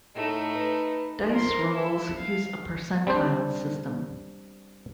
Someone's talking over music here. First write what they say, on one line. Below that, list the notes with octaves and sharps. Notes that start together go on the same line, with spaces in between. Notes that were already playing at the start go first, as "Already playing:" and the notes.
Dice rolls use a percentile system.
A2 A3 D#4
B4
F3 A#4 C6
E4 A4
F5
G3 C4 D4 C5